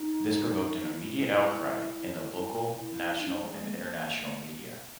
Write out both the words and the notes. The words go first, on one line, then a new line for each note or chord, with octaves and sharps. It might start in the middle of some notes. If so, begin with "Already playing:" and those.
This provoked an immediate outcry in the local, national and international media.
Already playing: D#4
E4
E4
E4
D#4
C#4
D#4
G#3
B3
A#3